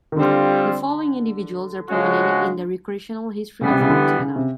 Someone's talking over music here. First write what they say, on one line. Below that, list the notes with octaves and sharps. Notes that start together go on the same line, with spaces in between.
The following individuals are prominent in the recreational history of Montana.
D#3
D3 G3 C4 F4
C#3 F3 G#3 C#4 F#4
C#3 E3 G3 B3
C3
C#3
D3
C#3
C3